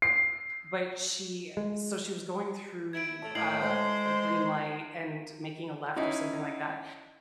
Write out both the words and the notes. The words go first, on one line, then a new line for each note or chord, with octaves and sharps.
but she so she was going through a green light, and making a left or something like that,
C7
G#3
E4 G#6 D7
A2 A3 A5
A2 A#3 D#4 G#6 C7 F#7
G#3 C5 G#5
C#4 D#4 E4